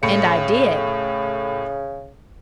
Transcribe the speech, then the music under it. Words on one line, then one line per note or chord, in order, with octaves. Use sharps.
And I did.
A2 C#3 C#7